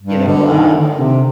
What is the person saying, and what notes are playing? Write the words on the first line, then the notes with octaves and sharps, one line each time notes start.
you know, um,
G2
D3
D#3
D3
C3